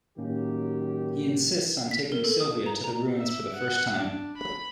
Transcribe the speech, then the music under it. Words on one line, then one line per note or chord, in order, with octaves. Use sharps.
He insists on taking Sylvia to the ruins for the first time.
A2 D#3 F#3 A#3 C#4 G4
B6
A#4
A4
D#6
A#5
A#5
E5
F#5
D4
B5